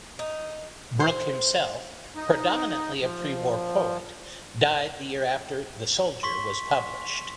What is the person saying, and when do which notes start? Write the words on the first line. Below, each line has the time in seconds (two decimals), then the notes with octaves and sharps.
Brooke himself, predominantly a prewar poet, died the year after "The Soldier" was published.
0.19 D#4
1.00 C5
2.16 D#4
3.02 F3
6.23 C6 C#6 B6